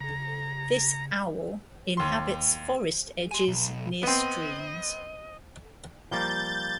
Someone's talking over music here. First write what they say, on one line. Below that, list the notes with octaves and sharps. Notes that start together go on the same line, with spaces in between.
This owl inhabits forest edges near streams.
C#3 A#5
D#2 C6
G#5 C6
B1
B3 C4 D#5
F3 G3 A#3 G6 A6